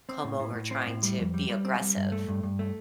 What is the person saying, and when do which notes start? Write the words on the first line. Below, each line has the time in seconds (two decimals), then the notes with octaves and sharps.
come over trying to be aggressive.
0.09 C4
0.24 A2
0.40 A2
0.55 A2
0.71 C4
0.87 A2
1.03 G3
1.19 F2
1.34 G3
1.50 G3
1.65 C4
1.81 G3
1.96 G2
2.12 A3
2.29 G2
2.43 G2
2.59 A3